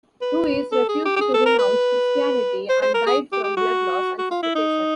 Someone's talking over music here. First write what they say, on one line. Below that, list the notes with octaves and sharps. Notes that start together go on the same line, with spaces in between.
Ruiz refused to renounce Christianity and died from blood loss and suffocation.
B4
A4
G#4
G4
G4
G#4
A4
A#4
B4
C5
C5
A#4
G#4
G4
G4
F#4
F#4
F4
E4
D#4